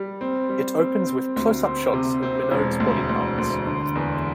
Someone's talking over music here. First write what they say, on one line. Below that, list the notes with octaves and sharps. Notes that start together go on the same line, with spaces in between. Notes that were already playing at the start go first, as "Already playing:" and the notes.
It opens with close-up shots of Minogue's body parts.
Already playing: G3
C4
G3
C4
C4
D2
C4
C3
C4
E1
D2
D2
D2
D3
E2